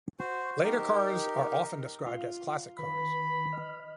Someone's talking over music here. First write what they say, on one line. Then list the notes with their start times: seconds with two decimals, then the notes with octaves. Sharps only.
Later cars are often described as classic cars.
0.19 F#4 C5
0.63 D#4 G4 A#4
2.07 F4
2.79 D#3 B4 B5
3.53 D#5 F6